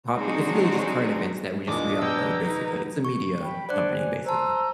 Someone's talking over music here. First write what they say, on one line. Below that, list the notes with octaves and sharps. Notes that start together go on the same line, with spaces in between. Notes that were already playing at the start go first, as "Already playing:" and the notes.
Pop. It's really just current events that we just re-upload basically. It's a media company, basically.
F#3 G#3 C4 D4 D#4 F#4
E2 A#2 D4 D#5 D6
B2 B4 G5 A#5 E6
D#4
C#6
G5 B5
D4 C5 D5 F#5 F#6
G#5
C5 A5 A#5 C6 E6